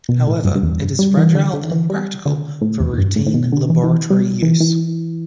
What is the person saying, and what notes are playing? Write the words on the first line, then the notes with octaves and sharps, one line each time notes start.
However, it is fragile and impractical for routine laboratory use.
B2
A2
G2
G2
E2
G2
G3
E3
D3
D3
E3
G3
D3
A2
E2
E2
G2
A2
A2
B2
D3
E3
E3
G3
E3
E3